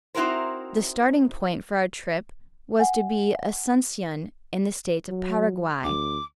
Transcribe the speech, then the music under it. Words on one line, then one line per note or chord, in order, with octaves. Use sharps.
The starting- point for our trip was to be Asuncion, in the state of Paraguay.
C4 D#4 E4 F#4 A#4 C5
F#5 G#5
F#3
D2 D6